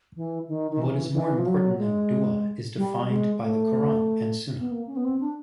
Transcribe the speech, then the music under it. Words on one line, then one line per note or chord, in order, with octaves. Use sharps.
What is more important than du'a is defined by the Quran and Sunnah.
E3
D#3
D#3
E3
E3
F3
F#3
G#3
G3
G#3
A3
B3
A#3
C#4
B3
C4
D4